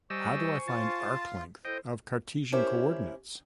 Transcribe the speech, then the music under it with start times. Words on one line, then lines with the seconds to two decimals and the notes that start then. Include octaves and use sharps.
How do I find arc length of Cartesian coordinates?
0.10 G3 C5 D#5 G#5 C#6 E6
0.68 F4 A5
1.65 E4 A4 C5 D#5 G5
2.52 C#4 E4 G4 A#4 C5 C#5